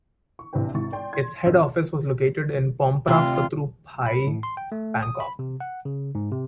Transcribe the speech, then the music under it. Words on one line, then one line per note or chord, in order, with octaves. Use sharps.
Its head office was located in Pom Prap Sattru Phai, Bangkok.
C#6
A1 C3 C4 D4 B4 G5
G#2 C3 E4 C#6 A6
D5 G5 C6
C6 G#6
A#1 C4 A#4 D#5 E6
D2 C3 F4
B5
A2
C6
G5
A3
D#6
B5
C3
F#5
C#3
G#2
C3